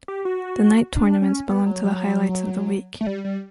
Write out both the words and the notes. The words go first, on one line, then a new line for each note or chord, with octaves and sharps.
The knight tournaments belong to the highlights of the week.
G4
F#4
D4
C#4
B3
F#3
F#3
A3
G3
G3